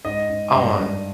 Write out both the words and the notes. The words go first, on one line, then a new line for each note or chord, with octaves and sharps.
I want
G#2 D#5
G#2
G2
G2